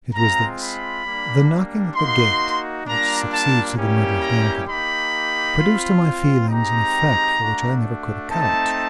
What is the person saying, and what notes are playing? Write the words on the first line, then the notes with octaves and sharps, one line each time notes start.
It was this: the knocking at the gate, which succeeds to the murder of Duncan, produced to my feelings an effect for which I never could account.
G#3 C4 F4 A#5
B5
G3 A#3 D4
A#3 D#4 F#4 C6
G3 A#3 D4 F4 A#5
A5
G3 A#3 C#4 E4 G4
A#5
A#3 D#4 G4 B5
C4 F4
G#3 C4 D#4 G4 A#5
A3 D4 F#4
A3 C4 D#4 A5